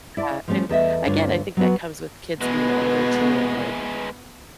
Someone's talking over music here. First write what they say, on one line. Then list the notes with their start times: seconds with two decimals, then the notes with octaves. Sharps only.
Yeah, and, again, I think that comes with kids being older, too, of, like,
0.17 E4 D5
0.48 F3 G3 A3 B3 C#4
0.69 E2 A4 D#5 E5
1.06 D2 G2 D4 F4 C#5
1.57 F#3 B3 F#4
2.41 B2 E3 G#3 B3